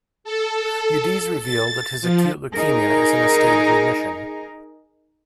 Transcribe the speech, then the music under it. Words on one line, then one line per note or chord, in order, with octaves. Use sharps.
Udeze revealed that his acute leukemia is in a state of remission.
A4
A6
F3
D#4 G#4 A#4